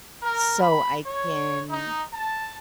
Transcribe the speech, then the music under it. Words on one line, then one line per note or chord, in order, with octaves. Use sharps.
so I can
A#4
B5
C#5
D#4
A5